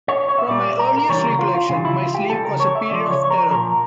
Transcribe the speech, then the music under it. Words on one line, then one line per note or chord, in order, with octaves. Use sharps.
From my earliest recollection my sleep was a period of terror.
C#5
C#5
E5
A#2 G3 D5
A#4
A#4
C#3 E3 G3 C#5
A#4
F4
F4
C#3 E3 G3 F4
E4
F4
G4
C#3 G3 A4
A#4
C#5
E5
C#3 F3 D5
C#5
C#5
A#4
A#2 F3 A#4